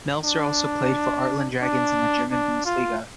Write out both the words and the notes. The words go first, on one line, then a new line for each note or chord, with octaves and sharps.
Melzer also played for Artland Dragons in the German Bundesliga.
D4
D4
D4
F4